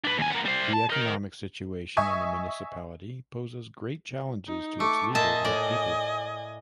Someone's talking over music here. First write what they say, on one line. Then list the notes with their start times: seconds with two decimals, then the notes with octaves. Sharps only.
The economic situation in the municipality poses great challenges to its leader and people.
0.04 D4 B4
0.18 D#2 G#5
0.30 A#3 B3
0.45 G3 C5
0.73 A5
0.90 D#4 A#4
1.97 D#5 E5 G#5 C#6 D#6
4.48 D#4
4.80 A3 C#6 D6
5.15 A#2 D#5 E5 G#5 A5
5.45 A2 D5